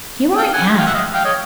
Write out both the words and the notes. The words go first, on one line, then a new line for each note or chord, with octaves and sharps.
Here I am.'
F5 G5
F#5 G#5
F5 G5
E5 F#5
D#5 F5
F5 G5
C#5 D#5